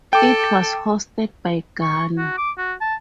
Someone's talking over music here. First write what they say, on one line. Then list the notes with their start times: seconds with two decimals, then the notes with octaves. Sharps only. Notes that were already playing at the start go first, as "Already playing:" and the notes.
It was hosted by Ghana.
0.13 A4 G5 D6
1.82 C#6
2.18 F#4
2.38 D6
2.58 F#4
2.81 A5